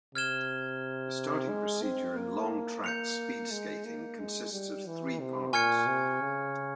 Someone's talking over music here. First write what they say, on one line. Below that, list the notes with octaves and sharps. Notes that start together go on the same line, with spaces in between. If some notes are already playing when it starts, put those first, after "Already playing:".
The starting procedure in long-track speed-skating consists of three parts.
C3 F6 G#6 E7 G7
G#3
C4
A#3
A#3 G6 C#7 F7
G#3
A#3
G#3
G3
E3
C3
A#2 G#5 C#6 F6 G#6 C#7
C3
C#3